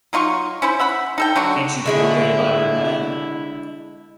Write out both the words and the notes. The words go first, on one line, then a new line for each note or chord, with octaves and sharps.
Can't you boo any louder than that?
F#3 D#4 F4 C#6
C#4 E4 C5
E5 F#5 B5
D#4 A4 G5
D3 F#3 F#4
D3 G#3 E4 C#5 E5